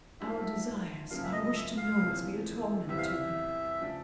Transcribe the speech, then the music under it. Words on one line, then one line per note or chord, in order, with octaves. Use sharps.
Our desires, our wish to know must be a torment to her.
G#2 F3 A3 D4 E5
F5
E5
F#2 C#3 F3 A#3 D4 F5
E5
D#5
D#5
E5
F5
E2 C3 F3 A#3
E2 C3 E3 G3 E5
F5
E5
C#3 F3 A3 D4